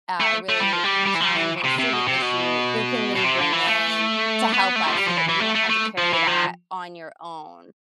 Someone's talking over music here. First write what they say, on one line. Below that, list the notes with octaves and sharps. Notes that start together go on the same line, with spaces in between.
uh, a really challenging student issue, who can we bring in to help us so that you don't have to carry that on your own?"
A3
A3
G3
F3
G3
G3
E3
F3
E3
C3
C3
B2
C3
B2
B2
C3
D3
E3
A3
B3
A3
F3
G3
F3
E3
E3
A3
A3
A3
F3
E3
F3